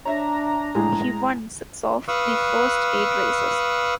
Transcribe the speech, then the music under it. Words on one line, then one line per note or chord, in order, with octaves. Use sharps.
He won six of the first eight races.
D4 C#5 E5 A#5
A2 G#3 G#4
B4 F5 C#6 D#6 E6 F#6